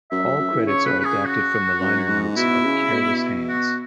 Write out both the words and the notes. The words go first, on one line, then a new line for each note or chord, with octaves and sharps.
All credits are adapted from the liner notes of "Careless Hands".
F#2 E5
F#2
F#2
E3
C#3 C#5
B4
B4
G#4
F#4
F#2
G#2
B2 E4
C#3
B2
F#4